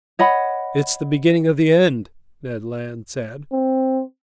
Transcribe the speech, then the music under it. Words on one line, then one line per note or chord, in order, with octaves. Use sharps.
"It's the beginning of the end!" Ned Land said.
C#5 D#5 F#5 B5
C4